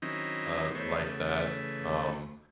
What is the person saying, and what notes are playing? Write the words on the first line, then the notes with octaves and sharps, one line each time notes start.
uh, like that. Um,
D#3 F#3 C4 C#4 D#4 E4
D#3 A3 B3 C5 C#5
C#3 E3 A3